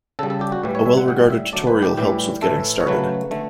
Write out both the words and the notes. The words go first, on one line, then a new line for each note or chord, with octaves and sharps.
A well-regarded tutorial helps with getting started.
C#3 G3 A4
A4
G4
F#4
A2 E3 G3
C#5
E5
F#5
A2 G3 F#5
E5
D3 F#3 A3 D5
B4
G4
A2 E3 G3 G4
A2 E3 A3 A4
C#5
C#3 F#3 A3 B4
D3 A3